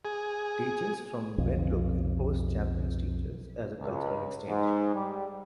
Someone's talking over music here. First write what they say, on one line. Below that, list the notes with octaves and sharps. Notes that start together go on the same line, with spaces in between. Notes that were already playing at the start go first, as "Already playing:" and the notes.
Teachers from Ben Logan host Japanese teachers as a cultural exchange.
G#4
B1 F2
C#2
G#2
G3